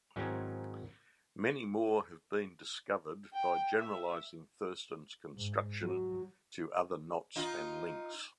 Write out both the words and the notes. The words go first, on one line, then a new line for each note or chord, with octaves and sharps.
Many more have been discovered by generalizing Thurston's construction to other knots and links.
G#2 D#3 F#3 C4 C#4 E4
G5
E5
G#2
F#3
D#4 F4